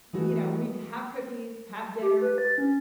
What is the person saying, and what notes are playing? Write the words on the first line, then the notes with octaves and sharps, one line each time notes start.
y you know, we'd have cookies, have dinner,
E3 G#3 A3 F#4
G4
B4
A6
C#4